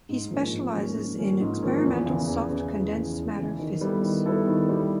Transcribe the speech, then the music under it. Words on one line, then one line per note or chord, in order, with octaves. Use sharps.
He specialises in experimental soft condensed matter physics.
G#2
F3 A#3 C#4
G#2
F3 A#3 C#4
G#2
F3 A#3 C#4
G#2
F3 A#3 C#4
E2
C#3 E3
E2
C#3 E3
E2
C#3 E3
E2
C#3 E3
D#3
G3 B3 E4 A4
D#3
G3 B3 E4 A4
D#3
G3 B3 E4 A4